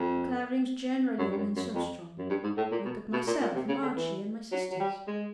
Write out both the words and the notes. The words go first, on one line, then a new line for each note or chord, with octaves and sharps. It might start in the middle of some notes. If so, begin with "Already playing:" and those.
The Claverings generally have been so strong. Look at myself and Archie, and my sisters.
Already playing: F2
F#2
G2
F#2
F#2
F2
F#2
G2
G#2
A2
A#2
B2
B2
A#2
A#2
C3
C#3
D3
E3
F#3
F#3
G3
G#3